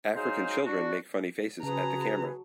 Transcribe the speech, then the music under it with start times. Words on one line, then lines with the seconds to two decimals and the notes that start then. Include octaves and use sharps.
African children make funny faces at the camera.
0.16 F#3 G#3 D#4 G#4 C5 F5
0.65 D4 F#4
1.63 C#3 F#3 G#4 B4 A5 A#5